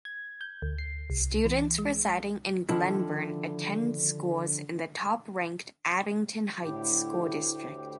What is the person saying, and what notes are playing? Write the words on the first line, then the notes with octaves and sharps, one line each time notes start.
Students residing in Glenburn attend schools in the top-ranked Abington Heights School District.
G#6
G6
D2
C7
C2
E3
G#3
D3 D#3 F3 E4
D2 A2 E4 G4